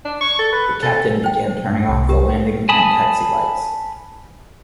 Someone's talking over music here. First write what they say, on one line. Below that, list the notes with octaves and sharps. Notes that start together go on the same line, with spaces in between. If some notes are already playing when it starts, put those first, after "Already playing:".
The captain began turning off the landing and taxi lights.
D4
C#6
A4
B4
A4
C5 G5
G2
C2
G4 A#4
G#5 A5 B5 D#6